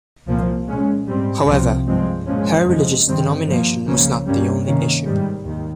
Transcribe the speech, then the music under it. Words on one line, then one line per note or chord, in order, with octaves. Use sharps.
However, her religious denomination was not the only issue.
C2 A#2 F3 A#3
A#2 G#3 C#4
G#2 G3 C4
C2 C3 F3 C4
G2 F3 G#3 C4
A#2 F3 G#3 C#4
F2 C#3 F3 G#3
G2 D#3 G3 C4
G2 F3 A#3
C#2 C#3 F3 A#3 C#4
G2 G3 A#3 C#4
C3 D#3 A#3 C#4
G#2 D#3 G3
D#2 D#3